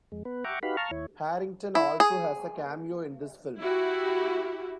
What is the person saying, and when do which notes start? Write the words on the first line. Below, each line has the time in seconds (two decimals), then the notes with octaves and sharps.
Harrington also has a cameo in this film.
0.12 F2 G#3
0.25 B3 B4
0.44 E5 F#5 G5 A#5 C#6 D6
0.63 D#4 F#4 G4 B4 F5 B5
0.77 F5 A5 A#5 C#6 F6
0.91 D#2 E4 C#5
1.75 E4
2.00 G#4
3.59 E4 F#4 G4